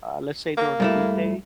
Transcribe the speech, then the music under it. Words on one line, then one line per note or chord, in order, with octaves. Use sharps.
uh, let's say during a weekday,
A#3
G2 A3 E4